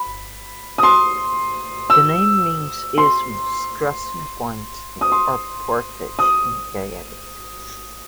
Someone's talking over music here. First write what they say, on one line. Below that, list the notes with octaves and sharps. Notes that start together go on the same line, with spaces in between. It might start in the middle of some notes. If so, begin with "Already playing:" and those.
The name means "isthmus", "crossing point" or "portage", in Gaelic.
Already playing: B5
D#6
C6
E6
C6
D#6
C6
D#6